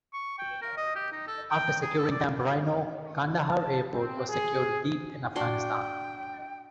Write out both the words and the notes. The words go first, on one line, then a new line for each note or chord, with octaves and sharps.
After securing Camp Rhino, Kandahar Airport was secured deep in Afghanistan.
C#6
G5
A#4
D#5
G4
D#4
A4
G5
G#4
A4
D5
A5
C4
G#4
D4 F#4 G5 C6